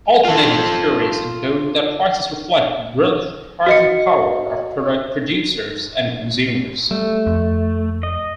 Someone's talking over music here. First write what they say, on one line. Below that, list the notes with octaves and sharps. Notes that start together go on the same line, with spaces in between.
Alternative theories include that prices reflect relative pricing power of producers and consumers.
F4 A4
F#4 D#5 C#7
G3 A3
F2
D#5